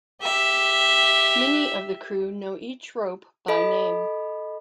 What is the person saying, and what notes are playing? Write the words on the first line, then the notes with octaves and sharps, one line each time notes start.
Many of the crew know each rope by name.
G4 E5
A4 D#5 B5